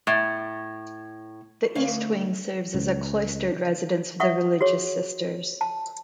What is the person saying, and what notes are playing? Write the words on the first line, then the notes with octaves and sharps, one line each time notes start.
The east wing serves as a cloistered residence for the religious sisters.
A2
D2 C#5 F5
C#2
E5 F#5 C#6 D#6
F#4 G#4 C#5
A5